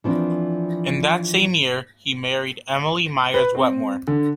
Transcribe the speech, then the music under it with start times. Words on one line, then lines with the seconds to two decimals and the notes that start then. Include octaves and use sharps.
In that same year, he married Emily Myers Wetmore.
0.04 E3 F3 C4 D4
3.34 B4
3.55 C4
4.07 D3